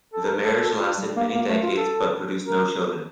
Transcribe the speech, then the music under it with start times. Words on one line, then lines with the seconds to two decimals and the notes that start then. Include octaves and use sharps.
The marriage lasted many decades but produced no children.
0.14 A4
0.24 A#4
0.43 A4
0.61 A4
0.80 F4
0.98 G3
1.16 A#3
1.35 A#3
1.49 A3
1.63 F4
1.77 A4
2.46 A#4